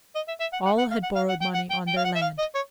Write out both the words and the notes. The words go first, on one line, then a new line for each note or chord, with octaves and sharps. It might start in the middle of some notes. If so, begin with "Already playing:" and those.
All had borrowed money on their land.
D#5
E5
E5
F#5
F#5
F#5
F5
F#5
F5
F#5
G5
F#5
G5
G5
F5
F#5
E5
F5
D#5
C#5